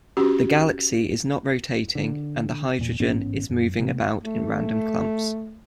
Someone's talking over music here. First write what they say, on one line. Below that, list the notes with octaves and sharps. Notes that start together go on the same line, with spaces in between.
The galaxy is not rotating and the hydrogen is moving about in random clumps.
C#4 F#4 G4
D3
E2 A#2
A1 G#2 B3 C#4
F#2
C3 A3 B3
A3